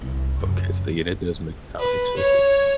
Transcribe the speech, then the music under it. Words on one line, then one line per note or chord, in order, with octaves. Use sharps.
Okay. So, yeah, that does make it sound interesting.
C2
F#2 C#3
B4
C#5